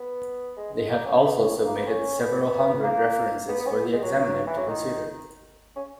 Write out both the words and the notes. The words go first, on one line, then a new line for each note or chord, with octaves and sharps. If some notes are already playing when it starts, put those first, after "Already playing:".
They have also submitted several hundred references for the examiner to consider.
Already playing: B3
G#3
G#3
A#3
C#4
B3
B3
C#4
B3
A#3
B3
C#4
B3
A#3
B3
B3
C#4
B3
G#3
F#3
E3
F#3
D#3
C#4